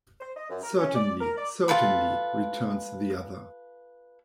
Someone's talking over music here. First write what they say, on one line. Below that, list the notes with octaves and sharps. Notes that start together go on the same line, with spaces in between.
"Certainly, certainly," returns the other.
C5
D#5
F#2
A#4
C#4
D5
A#4
D5
F4 A4 B4 B5